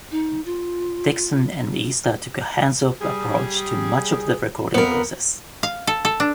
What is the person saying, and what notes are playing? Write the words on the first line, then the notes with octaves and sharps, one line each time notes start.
Dixon and Easter took a hands-off approach to much of the recording process.
D#4
F4
G3 G#4
F2 B3 A#4
F5
A4
A4
D4